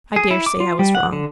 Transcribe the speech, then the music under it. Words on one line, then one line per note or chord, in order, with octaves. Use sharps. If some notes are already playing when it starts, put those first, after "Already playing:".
I dare say I was wrong.
G#4
E4
D6
F4
G3
F#5
D3